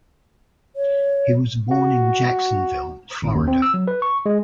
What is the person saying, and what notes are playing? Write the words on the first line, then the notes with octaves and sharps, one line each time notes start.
He was born in Jacksonville, Florida.
C#5
F#4
G#1
D#2
C4
E6
F#3
B4
C#6
G#3